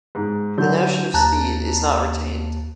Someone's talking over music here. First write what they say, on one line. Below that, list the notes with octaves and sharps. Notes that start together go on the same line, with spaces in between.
The notion of speed is not retained.
G#2
D3 F#3 G6
D#2 A5 A#5 F#6